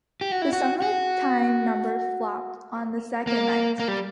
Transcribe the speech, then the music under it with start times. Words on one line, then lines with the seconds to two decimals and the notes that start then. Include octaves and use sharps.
The summertime number flopped on the second night.
0.21 G4
0.32 F#4
0.42 E4
0.53 F#4
0.82 F#4
3.27 A#3
3.79 A#3
3.88 G3